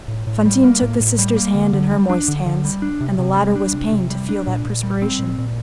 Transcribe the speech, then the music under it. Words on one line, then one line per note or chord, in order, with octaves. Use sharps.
Fantine took the sister's hand in her moist hands, and the latter was pained to feel that perspiration.
A2
A2
G3
A#3
A2
A2
G3
A#3
D3
D3
G3
D4
D3
D3
G3
D4
C3
C3
G3
D4
C3
C3
G3
D4
A#2
A#2
G3
C4
A#2
A#2